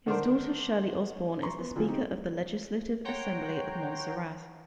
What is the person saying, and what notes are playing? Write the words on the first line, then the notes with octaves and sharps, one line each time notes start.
His daughter Shirley Osborne is the Speaker of the Legislative Assembly of Montserrat.
D3 D#3 D4 A4 A#4 C5
A#5 C6 C#6
B3
D3 F3 F#3 C4 F4 G#4
C4 D#4 G4
C#5 F#5 G5 A#5 C6